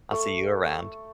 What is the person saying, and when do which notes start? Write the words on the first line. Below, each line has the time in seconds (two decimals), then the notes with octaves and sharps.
I'll see you around.
0.11 A3